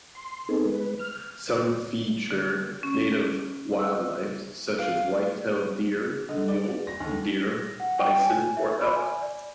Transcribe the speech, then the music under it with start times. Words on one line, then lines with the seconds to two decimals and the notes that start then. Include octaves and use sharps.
Some feature native wildlife such as whitetail deer, mule deer, bison or elk.
0.15 C6
0.49 B3 C4 D#4 G#4 A4
0.66 G#3 B4
0.99 F6
2.31 D3
2.83 C#4
3.79 E6
4.78 F5
6.29 D3 D#5
6.48 D5
6.87 A#6
7.00 D#2 D3
7.43 A#6
7.80 F#5
7.99 G5
8.25 G#5
8.57 E5
8.81 B5
8.96 G#5
9.22 D5